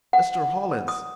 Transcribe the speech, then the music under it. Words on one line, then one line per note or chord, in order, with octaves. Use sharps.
"Mr. Hollins!"
F#5
D#6